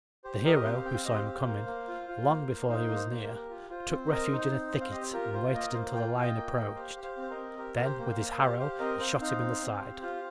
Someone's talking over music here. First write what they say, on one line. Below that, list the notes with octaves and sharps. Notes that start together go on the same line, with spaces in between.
The hero, who saw him coming long before he was near, took refuge in a thicket and waited until the lion approached; then with his arrow he shot him in the side.
G4 C5
G4 A#4 D#5
C4 C5 F5
C4 G5
F5
G4 D#5
C5 F5
G4
A#3
A#3
F4
F4
A#3
A#3
D#4 C5 F5
A#3
C5
A#3
A#4
G4
F4
F4 C5
C4 C5
C4 A#4 D#5
D#4 C5
C4
C4
F5
G4 D#5
C5
F4 A#4
F4 C5
A#3 A#4 D#5
A#3 C5 F5
F4 G5
F5
F4
D#5 G5
A#3
A#3
G4 C5 F5
G4
C5 F5
C4
C5
A#4 D#5
C4
G4 A#4
G4
C5
A#3
G5
C5 F5
A#3
G4 C5 F5
G4 C5 F5
C4 A#4 D#5
C4 C5 F5
D#4 C5 F5
C4
C4
G4
F4 C5 F5